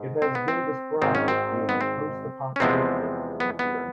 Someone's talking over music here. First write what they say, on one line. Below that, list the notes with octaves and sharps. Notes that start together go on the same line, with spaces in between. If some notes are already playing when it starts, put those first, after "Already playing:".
It has been described as being "post-apocalyptic" in appearance.
Already playing: G#2
C4
B3
C4
G#1 G#2 D#3 C4
C#4
C4
B3
C4
C#4
E2 C3 F3 G#3 B3 C4
B3
B3